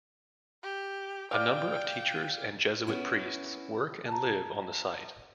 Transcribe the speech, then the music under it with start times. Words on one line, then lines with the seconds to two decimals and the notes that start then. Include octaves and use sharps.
A number of teachers and Jesuit priests work and live on the site.
0.63 G4
1.31 D5 F5 G5
2.87 B3 C#4 E4
4.08 A5 A#5